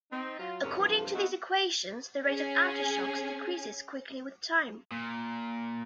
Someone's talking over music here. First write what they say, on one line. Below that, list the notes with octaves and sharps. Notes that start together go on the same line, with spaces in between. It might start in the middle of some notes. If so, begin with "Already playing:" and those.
According to these equations, the rate of aftershocks decreases quickly with time.
C4 D#4
F#3 F4
F2 G#2 C3 C#4 A#4 C#5
G2 C3 E3 F3
B3 C4 D#4 E4 F#4
C#4 G#4
A#2